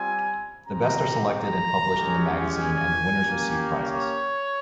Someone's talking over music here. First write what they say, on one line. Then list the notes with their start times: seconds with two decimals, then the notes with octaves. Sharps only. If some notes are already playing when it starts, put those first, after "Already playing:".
The best are selected and published in the magazine and the winners receive prizes.
Already playing: G3 C4 F4 G#5
0.65 C4 G4 A#5
1.29 A#5
1.92 G#3 C#4 G4
2.55 G#5
3.19 A#3 C#4 G4
3.81 C#5